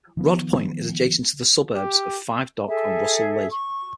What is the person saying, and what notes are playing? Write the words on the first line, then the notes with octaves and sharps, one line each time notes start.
Rodd Point is adjacent to the suburbs of Five Dock and Russell Lea.
D#3 F3 B3
G4
G#4 A4 E5
C#6